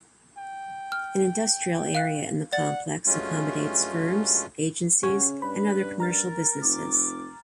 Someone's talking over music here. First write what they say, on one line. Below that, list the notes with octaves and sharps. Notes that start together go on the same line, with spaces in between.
An industrial area in the complex accommodates firms, agencies and other commercial businesses.
G5
F6
F5 F#6
D5 F#5 A6
G2 F#3 G#3 A3 C#4 F4
C#3 C#4 F#4
G2 B4 B5
A#4 A#5 F6 A6
F1 D6